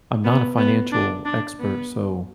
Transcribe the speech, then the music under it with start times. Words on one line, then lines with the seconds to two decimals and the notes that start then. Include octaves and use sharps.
I'm not a financial expert, so
0.25 B3
0.57 B3
0.92 D4
1.25 D4
1.60 B3